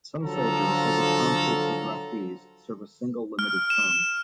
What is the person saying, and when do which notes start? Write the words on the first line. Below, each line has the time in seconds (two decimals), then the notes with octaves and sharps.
Some soldiers, such as conscripts or draftees, serve a single limited term.
0.24 D3 F3 F#3 F4 A4 A#5
3.39 F6
3.70 E7